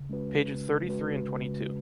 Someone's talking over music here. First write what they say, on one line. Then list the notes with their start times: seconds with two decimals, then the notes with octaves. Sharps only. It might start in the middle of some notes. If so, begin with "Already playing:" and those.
Pages thirty-three and twenty-two.
Already playing: C#3
0.09 G#3 C#4 F#4 B4
0.49 C#3
0.88 G#3 C#4 F#4 B4
1.28 C#3